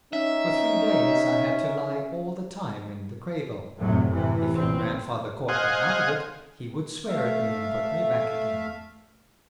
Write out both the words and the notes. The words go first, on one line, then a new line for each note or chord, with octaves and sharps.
For three days I had to lie all the time in the cradle: if your grandfather caught me out of it, he would swear at me, and put me back again.
C#4 D#4 E5
F1 F#2 A2 C3 F#3 A3
A2 C3 E3
A1 A#2 C4
C5 D#5 F5 F#5 G#5
A3 E5 F5